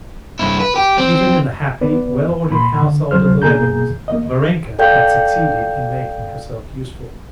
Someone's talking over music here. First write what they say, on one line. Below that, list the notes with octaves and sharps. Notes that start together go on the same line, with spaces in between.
Even in the happy, well-ordered household of the Levins Varenka had succeeded in making herself useful.
G2 E4
B4
G4
C4
B3 B4 D5
A#2 B5 C6
D3
D2 C3 F#3 C5 F6
B2 A#3 G#4 A#5 G6
A#3 D#5
A4 D5 F5 G5 G6